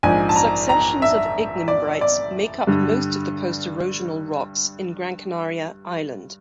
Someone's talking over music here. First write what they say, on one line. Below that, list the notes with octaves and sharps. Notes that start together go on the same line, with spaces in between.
Successions of ignimbrites make up most of the post-erosional rocks in Gran Canaria Island.
A#1 G#2 F3 G#5
A5
A#5
A#5
E5
D5
D5
G2 D3 G3